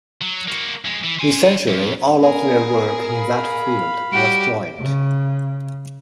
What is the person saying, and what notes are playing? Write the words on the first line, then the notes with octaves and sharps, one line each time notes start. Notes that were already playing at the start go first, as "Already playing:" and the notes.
Essentially all of their work in that field was joint.
F#3
A#3 F#4
F2 G#3
E3
C5 G#5
F2
B3 G#4 A#4
F5 B5
G3 F#4 G4 D7
C#3